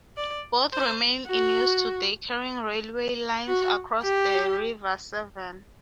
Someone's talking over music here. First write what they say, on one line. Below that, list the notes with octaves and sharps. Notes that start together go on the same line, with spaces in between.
Both remain in use today carrying railway lines across the River Severn.
D5
C5
F#4
F#4
G4